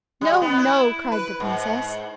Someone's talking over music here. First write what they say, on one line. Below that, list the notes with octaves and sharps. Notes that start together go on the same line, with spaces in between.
"No, no," cried the princess.
G3
B3
E4
B4
G#2